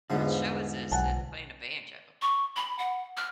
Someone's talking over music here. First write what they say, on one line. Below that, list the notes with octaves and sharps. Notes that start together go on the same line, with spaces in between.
Which show is this that's playing a banjo?
E2 G#2 D3 F3 G3
B1 F#5 G#5 A5
C#6
B5
F#5
F6